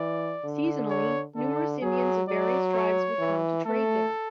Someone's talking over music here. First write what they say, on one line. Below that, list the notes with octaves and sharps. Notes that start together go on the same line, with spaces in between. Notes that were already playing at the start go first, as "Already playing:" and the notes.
Seasonally numerous Indians of various tribes would come to trade there.
Already playing: E3 D5
D3
C#5
D3 A4
F#3 G#4
F#3 D5
C#5
E3
A3 A4